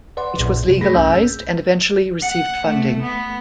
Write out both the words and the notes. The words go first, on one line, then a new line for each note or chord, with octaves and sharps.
It was legalised and eventually received funding.
B4 D5 F#5 C6
A#1 F#2 A#2
C3 G3
G2 A3 G#4 B5 A#6 B6
B1 C#4 E6 G6
F#5
A3
B3